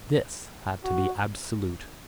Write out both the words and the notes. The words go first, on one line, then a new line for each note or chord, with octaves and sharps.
This had to be absolute.
F#4